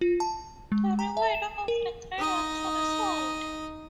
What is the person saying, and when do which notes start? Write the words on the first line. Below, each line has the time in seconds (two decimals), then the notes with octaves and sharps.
The remainder of the grain was to be sold.
0.01 F4
0.20 A5
0.72 G#3
0.99 A#5
1.17 E5
1.34 E7
1.68 A#4
2.18 D#4 D#5